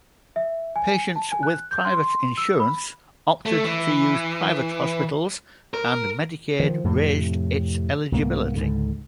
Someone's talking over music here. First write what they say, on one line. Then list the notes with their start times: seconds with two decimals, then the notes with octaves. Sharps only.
Patients with private insurance opted to use private hospitals and Medicaid raised its eligibility.
0.36 E5
0.76 G#5
1.16 A5
1.32 G#5
1.43 F#6
1.71 G6
1.85 C6
2.04 C6
2.37 E6
2.60 B5
3.46 A3
3.64 E3
5.74 A#4
6.60 D#3 F3
6.84 F2 A2 C3
8.12 C2 G#2 A#3 B3
8.55 C#2 G#2 D3